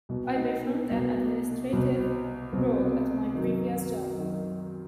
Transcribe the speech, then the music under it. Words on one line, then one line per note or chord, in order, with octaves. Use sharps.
I performed an administrative role at my previous job.
C2 B2
D#4
B3
C2 B2 B3
C2 B2
C2 B2 C4
F#2 D#3
F#2 D#3